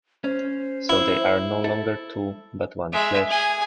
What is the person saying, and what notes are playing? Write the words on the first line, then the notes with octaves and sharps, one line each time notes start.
So they are no longer two, but one flesh.
C#4 C5
E4
A4 E5
G#3 E5
G#4 G#5